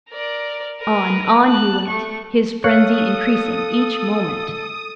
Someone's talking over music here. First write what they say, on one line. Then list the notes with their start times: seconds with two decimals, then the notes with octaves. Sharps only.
On--on he went, his frenzy increasing each moment.
0.10 A#4 D5
0.80 A#4 B4
1.43 A5 F#6
1.87 A3 C#6
2.64 A4 C#5 F5 D#6 F#6 C#7